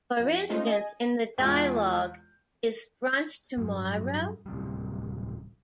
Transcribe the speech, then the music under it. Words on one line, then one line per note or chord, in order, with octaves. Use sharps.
For instance, in the dialogue Is it brunch tomorrow?
F2
G#3 A3 C#4 D#4 F4 C5
D#5 G#5
E2 G#3 F4 G6
G2 F#3
D1 C3 G3